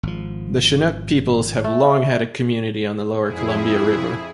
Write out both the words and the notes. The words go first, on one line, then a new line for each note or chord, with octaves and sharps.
The Chinook peoples have long had a community on the lower Columbia River.
G#1 F3
A3
F2 E4 G#4